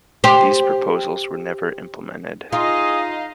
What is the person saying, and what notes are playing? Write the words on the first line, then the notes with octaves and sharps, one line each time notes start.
These proposals were never implemented.
G4 C5
D#4 F4 G#4 D#5 F5